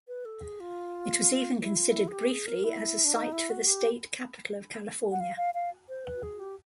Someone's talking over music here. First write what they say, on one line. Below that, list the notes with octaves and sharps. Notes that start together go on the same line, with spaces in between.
It was even considered briefly as a site for the state capitol of California.
B4
A4
G#4
F4
E4
F4
E4
G#4
G4
G#4
A#4
E4
D4
D#4
E4
F#4
G4
F#5
F5
F5
F5
C5
B4
G#4
G4